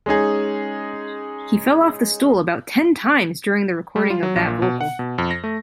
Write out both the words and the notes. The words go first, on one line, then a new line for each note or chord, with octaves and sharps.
He fell off the stool about ten times during the recording of that vocal.
G#3 C#4 D#4 G#4
G3
F4
F#3
A#1
A#2
B2
F#5
B2
F2
A#6
A3